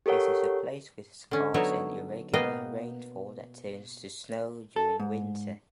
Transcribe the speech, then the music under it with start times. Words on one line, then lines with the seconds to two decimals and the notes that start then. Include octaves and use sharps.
It is a place with scarce and irregular rainfall that turns to snow during winter.
0.06 G4 A4 A#4 C#5 F#5
1.31 D3 C#4
1.54 D3 F#3 B3 D#4 E4 C#5
2.33 B2 A#3 B3 D#5 F5 G5
4.76 A4
5.00 G#2